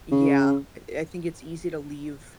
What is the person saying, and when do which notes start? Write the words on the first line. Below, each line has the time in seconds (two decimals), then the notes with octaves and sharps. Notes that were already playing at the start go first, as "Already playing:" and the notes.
Yeah, eh I think it's easy to leave
0.12 C#3